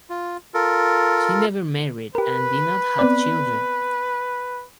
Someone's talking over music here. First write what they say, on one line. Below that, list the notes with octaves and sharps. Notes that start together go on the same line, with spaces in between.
She never married and did not have children.
F4
F4 A4 A#4
G4 A#4 B4
B3 C4 D5